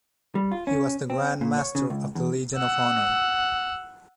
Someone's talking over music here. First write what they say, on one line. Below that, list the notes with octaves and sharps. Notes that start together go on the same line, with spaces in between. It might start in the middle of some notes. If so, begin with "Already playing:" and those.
He was the Grand Master of the Legion of Honor.
G3
F4
C#4
C4
A#2
C#5
C#3
C#2
E2
F#5 E6